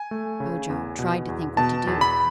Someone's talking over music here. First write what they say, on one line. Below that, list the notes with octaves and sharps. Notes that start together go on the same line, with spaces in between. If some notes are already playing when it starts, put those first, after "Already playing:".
Ojo tried to think what to do.
Already playing: G#5
A3
C#3
E2
B2
E2
B2 A5
E2
B5